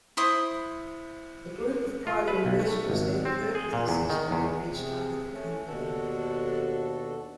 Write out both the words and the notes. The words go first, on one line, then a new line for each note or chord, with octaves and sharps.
A group of private investors then purchased the system and restarted the company.
E4 C5 D#6
F4
B4
B1
A3
G#1
C4
G#4
A#2
E2
D#3
E2
C3 C4 G#4
A3 C#4
D#2 B2 D4 F#4 A4